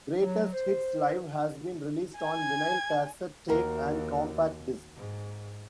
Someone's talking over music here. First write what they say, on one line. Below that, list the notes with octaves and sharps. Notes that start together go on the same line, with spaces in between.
"Greatest Hits Live" has been released on Vinyl, Cassette tape, and Compact disc.
F#3
C5
G#5 G#6
D#2 A#3 F#4 A#4
G#2